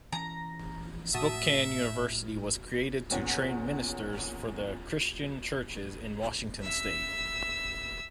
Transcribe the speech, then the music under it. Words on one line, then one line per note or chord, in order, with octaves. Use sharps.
Spokane University was created to train ministers for the Christian Churches in Washington State.
E3 C#4 A#5
A2 F#4 E5 A5 D#6
E2 A#2 C#4 F#5
E5 E6